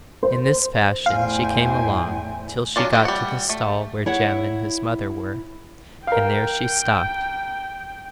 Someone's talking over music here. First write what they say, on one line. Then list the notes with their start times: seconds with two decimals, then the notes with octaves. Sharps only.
In this fashion she came along till she got to the stall where Jem and his mother were, and there she stopped.
0.23 C5
1.06 E2 A2 E4 C5 F5 G5 G#5
2.76 F#3 C#4 D4 F4
2.93 E3 A3 E4
3.05 G3 F#5
3.49 A3
4.06 E4 C#5 F#5
6.07 A#4 F5 G5